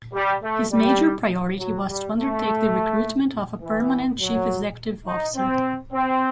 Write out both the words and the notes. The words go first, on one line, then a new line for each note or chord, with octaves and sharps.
His major priority was to undertake the recruitment of a permanent chief executive officer.
G3
A3
G3
F#3
G3
A3
E3
F#3
D#4
C4
C4